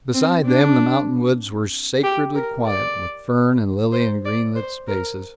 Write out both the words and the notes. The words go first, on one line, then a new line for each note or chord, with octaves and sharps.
Beside them, the mountain woods were sacredly quiet, with fern and lily and green-lit spaces.
C4
D4
G4
A#4
D5
C5
D5
C5
A#4